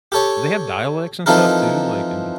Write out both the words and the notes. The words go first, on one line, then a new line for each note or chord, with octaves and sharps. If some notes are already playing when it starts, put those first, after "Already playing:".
They have dialects and stuff too, like in
G4 A4 C#5
E3 F3 C4 D#4 A4 A#4